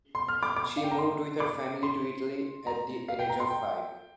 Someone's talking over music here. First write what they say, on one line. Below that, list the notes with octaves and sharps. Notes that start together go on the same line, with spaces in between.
She moved with her family to Italy at the age of five.
C6
F6
D6
D6
F5
G5
A#5
C6
D6
C6
A#5
F5
G5
A#5
C6
G5